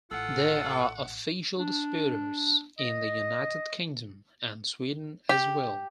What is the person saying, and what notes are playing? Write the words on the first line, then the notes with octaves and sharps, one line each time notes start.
There are official distributors in the United Kingdom and Sweden as well.
A1 F4 A4 F#5
D4
D#5
G4